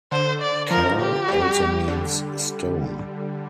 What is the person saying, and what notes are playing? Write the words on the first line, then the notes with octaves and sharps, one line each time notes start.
'Kal' also means 'stone'.
D3 C5
D5
F3 A#4
G4
G3
D3